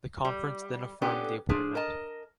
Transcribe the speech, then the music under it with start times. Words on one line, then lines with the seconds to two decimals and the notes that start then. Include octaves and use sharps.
The conference then affirmed the appointment.
0.25 G3
1.02 B3 C#4 D4 G4 A4
1.49 F3 D4 G#4
1.75 A#4 D#5 A5